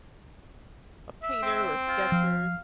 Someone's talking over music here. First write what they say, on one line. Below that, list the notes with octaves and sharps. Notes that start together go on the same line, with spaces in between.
a painter or sketcher,
E5
C4
F4
F3 F5